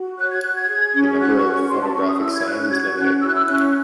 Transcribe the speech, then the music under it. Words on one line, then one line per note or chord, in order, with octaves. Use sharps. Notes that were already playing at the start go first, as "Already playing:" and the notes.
The number of phonographic signs is limited.
Already playing: F#4
C#5 F#6
G#6
F#4 F#6
G#6
G#4
C#4
F#4 F#6
C#6
C#4
C#6
F#4 C6
A5
C#4 C#6
D#6
E4 E6
G#6
C#4 F#6
F#6
F#4 G#6
C#4 F#6
E4 E6
F#6
E6
C#4 F#6